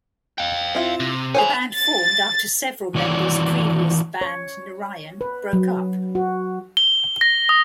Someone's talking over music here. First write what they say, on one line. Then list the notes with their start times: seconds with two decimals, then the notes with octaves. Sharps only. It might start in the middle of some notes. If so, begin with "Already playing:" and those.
The band formed after several members previous band Narayan broke up.
0.38 F5 G5
0.75 C4 E4 F4
1.00 C3
1.35 G#4 C5 C#5 G#5 B5
1.77 A6
2.95 D#3 E3 F#4 C#5 D5
4.21 C#5
5.21 B4
5.53 F#3
6.15 F#4
6.77 G7
7.21 A#6
7.49 D#6